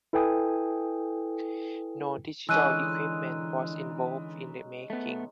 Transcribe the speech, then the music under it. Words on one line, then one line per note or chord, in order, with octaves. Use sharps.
No digital equipment was involved in the making.
E4 A4 B4 G5 G#5 D#6
D3 E3 G#3 C#4 D#4 E6 F#6 D#7
A3 B3